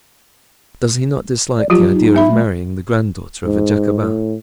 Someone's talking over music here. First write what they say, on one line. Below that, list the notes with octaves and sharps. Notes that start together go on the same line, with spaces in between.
"Does he not dislike the idea of marrying the granddaughter of a Jacobin?"
D5
F3 F#3 F4 G4
D#4
B3 E5 B5
A3
G#2
A2